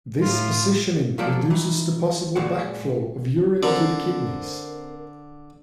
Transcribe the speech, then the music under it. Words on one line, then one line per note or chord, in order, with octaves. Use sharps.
This positioning reduces the possible back-flow of urine to the kidneys.
A2 F4
F3 F#3 F4 A4 C5 D5
E3 D#4
A#2 G#3 F#4 F#5
D3 C4 A#4 C5